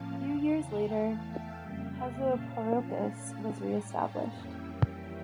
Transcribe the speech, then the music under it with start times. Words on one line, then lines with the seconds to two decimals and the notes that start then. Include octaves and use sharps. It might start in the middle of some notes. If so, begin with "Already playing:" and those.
Few years later, Pezoporikos was re-established.
Already playing: A2 F3 A#3 C#4 F5 A5
0.25 E2 C#3 E3 F5 A5
0.59 G5 A#5
0.93 E2 E3 A3 F5 A5
1.26 E5 G5
1.60 F2 C#3 G3 A#3 E5 G5
2.28 A#2 F3 C#4 F5 A5
2.96 A#2 A3 C#4
3.63 A2 G3 C#4 G5 A#5
3.98 F5 A5
4.31 F2 E3 G3 A#3 C#4 E5 G5